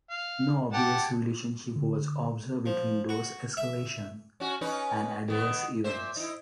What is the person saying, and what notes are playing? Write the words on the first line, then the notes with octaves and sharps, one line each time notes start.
No obvious relationship was observed between dose escalation and adverse events.
F5
G4 F#5 A5
D3
F3
F#4
E5
C#4 F#4
C#4 D#4 B4
D#3 B3
A#2 C5 E5
D#4 E4